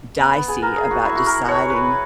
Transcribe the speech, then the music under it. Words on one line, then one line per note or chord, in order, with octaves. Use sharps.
dicey about deciding
B3
B3
G#4
A#4
G#4
F#4
E4
F#4
A#4
C#5
B4